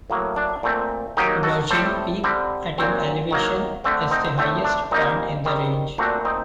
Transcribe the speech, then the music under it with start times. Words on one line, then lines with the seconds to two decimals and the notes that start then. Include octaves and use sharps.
Virgin Peak, at in elevation, is the highest point in the range.
0.10 A2 F#3 A#3
0.36 D4
0.63 A#2 A3 C4
1.17 D#3 F#3 A#3 D#4 G4
1.43 F#4 A4
1.70 A2 G3 C4 A4 C5
2.24 D3 G3 C4
2.78 A#2 F#3 C4
3.31 D#3 F#3 A#3
3.84 D3 A3 C4
4.11 C4 D#4
4.38 A2 A3 C4
4.65 D4
4.91 A#2 G3 A#3 C4 D#4
5.45 D#3 G3 C4
5.98 A#2 A3 C4 D4 F#4
6.25 C4 D#4